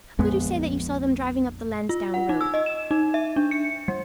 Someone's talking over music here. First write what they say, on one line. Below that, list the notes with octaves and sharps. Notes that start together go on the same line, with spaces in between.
How could you say that you saw them driving up the Lansdown Road?
A#1 F2 G#3 B3
F4
F#5
D#4
E6
D#5
E7
D#4
E5
D4
C#7
G3